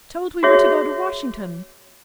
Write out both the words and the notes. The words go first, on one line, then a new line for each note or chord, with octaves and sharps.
Told we were to go to Washington.
F#4 G#4 C#5 E5